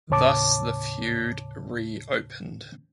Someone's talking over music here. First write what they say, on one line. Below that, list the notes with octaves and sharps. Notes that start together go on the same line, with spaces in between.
Thus the feud reopened.
D#2 A2 C#3 C#5 A5 D6